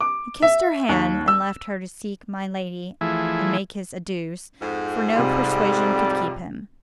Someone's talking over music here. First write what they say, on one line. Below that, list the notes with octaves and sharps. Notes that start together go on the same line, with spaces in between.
He kissed her hand and left her to seek my lady and make his adieus, for no persuasion could keep him.
D6
E5
D#2
E6
E3 F3 A3 E4 G#4
F2 G#2
C3 G3 F4